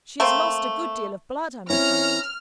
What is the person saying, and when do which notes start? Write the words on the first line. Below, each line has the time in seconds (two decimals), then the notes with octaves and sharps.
She has lost a good deal of blood, I'm afraid.'
0.20 A3 A#3 C4
1.70 C4 C#4 E4 A#5 F6